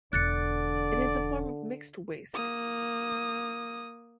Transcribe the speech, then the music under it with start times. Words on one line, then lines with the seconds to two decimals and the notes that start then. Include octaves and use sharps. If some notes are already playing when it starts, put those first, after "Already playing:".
It is a form of mixed waste.
0.13 E1 D3 D5 F#6 A6 C#7
2.34 A#3 D#6